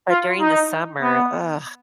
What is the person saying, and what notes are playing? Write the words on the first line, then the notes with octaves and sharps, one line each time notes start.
but during the summer, ugh,
F4
D#4
B3